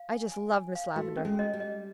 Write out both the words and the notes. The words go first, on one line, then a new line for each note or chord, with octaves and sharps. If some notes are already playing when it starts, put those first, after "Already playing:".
I just love Miss Lavendar.
Already playing: F5
G#5
G#5
G#5
F5
A3 F#4
C#4
G#3
D#5
G3
D#5